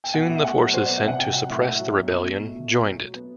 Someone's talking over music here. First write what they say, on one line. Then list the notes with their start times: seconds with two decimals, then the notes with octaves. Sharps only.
Soon, the forces sent to suppress the rebellion joined it.
0.04 G5
0.14 B2 F#5
0.29 B2 E5
0.44 A3 F#5
0.59 F#3
0.74 F#3 C5
0.86 B3 D5
0.97 E5
1.04 C3 F#5
1.19 C3 G5
1.34 F#3 F#5
1.50 A2 E5
1.64 E4 F#5
1.76 F#3 E5
1.95 B2
2.10 B2
2.24 A3
2.40 B2
2.55 B2
2.70 A3
2.85 F#3
3.00 F#3
3.14 B3